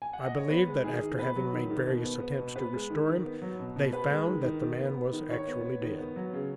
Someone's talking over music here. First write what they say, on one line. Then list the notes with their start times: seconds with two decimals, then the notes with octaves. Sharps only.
I believe that after having made various attempts to restore him, they found that the man was actually dead.
0.02 G#5
0.13 F#5
0.26 D#5
0.38 C#5
0.50 B3 B4
0.67 G#3
0.84 D#3 G#4
1.01 D#3
1.18 B3 B4
1.36 F#3
1.53 D#3
1.70 D#3
1.87 B2
2.04 B3
2.21 B3
2.38 B2
2.56 B3 B4
2.73 G#3
2.90 D#3
3.07 D#3
3.25 B3
3.42 F#3
3.59 B2
3.76 B2
3.93 B3 B4
4.10 G#3
4.27 D#3
4.44 D#3
4.62 D#3
4.79 B3
4.96 B3
5.12 D#3
5.30 D#3 C#5
5.47 B3
5.65 B3
5.82 D#3
5.99 B3
6.16 F#3
6.33 C#3